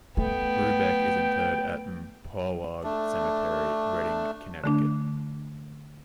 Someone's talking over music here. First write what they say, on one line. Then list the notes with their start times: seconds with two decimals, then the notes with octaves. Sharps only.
Brubeck is interred at Umpawaug Cemetery in Redding, Connecticut.
0.17 A3 B3 G5
2.83 A3 D4
4.64 D3 A3 D4